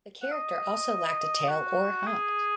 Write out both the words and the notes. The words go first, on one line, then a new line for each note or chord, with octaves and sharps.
The character also lacked a tail or hump.
F#5
D#5
F#4
G#4